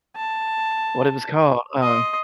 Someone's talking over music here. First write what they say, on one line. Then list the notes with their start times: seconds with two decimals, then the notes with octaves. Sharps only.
what it was called. Uh,
0.16 A5
1.82 D#5 C6